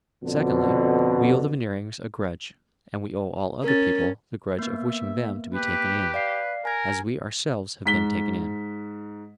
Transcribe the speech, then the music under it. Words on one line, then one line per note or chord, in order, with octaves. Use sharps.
Secondly, we owe the Veneerings a grudge, and we owe all other people the grudge of wishing them to be taken in, as we ourselves have been taken in.
F2 B2 D3
C#4 A#4 A6
A#3 B3 E5
G4 B4
B4 D5 F5 C7
A#4 G#5 G#6
G#2 B6 G7